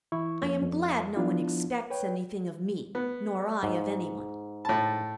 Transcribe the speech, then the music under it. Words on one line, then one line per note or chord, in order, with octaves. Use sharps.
I am glad no one expects anything of me,--nor I of any one.
E3 E4 C#6
F2 F3 A#3 C#5
F2
F3 B3 D4 E4 F4
B4 C#5 G5
B3
G#2
A2 A5